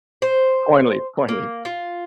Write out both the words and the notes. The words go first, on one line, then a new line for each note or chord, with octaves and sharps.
Corn leaf corn leaf.
C5
A#3
F4